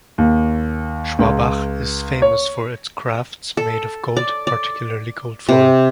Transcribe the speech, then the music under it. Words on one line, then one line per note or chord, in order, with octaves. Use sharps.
Schwabach is famous for its crafts made of gold, particularly gold foil.
D#2
C#2
C#5
A4
D5
D5
C3